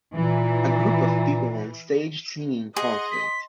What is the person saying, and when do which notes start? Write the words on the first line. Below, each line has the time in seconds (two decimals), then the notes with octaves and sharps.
A group of people on stage singing in concert.
0.14 A#2 E3
2.76 G#4 D#5 F#5 C6
3.11 B6